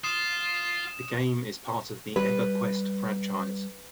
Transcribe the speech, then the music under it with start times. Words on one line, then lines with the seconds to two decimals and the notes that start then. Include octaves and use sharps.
The game is part of the "EverQuest" franchise.
0.04 F4 D#6 E7
2.16 G3 B4